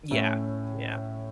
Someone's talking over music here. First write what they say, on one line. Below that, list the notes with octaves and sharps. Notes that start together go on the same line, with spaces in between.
Yeah, yeah.
A2 A3 C#4 E4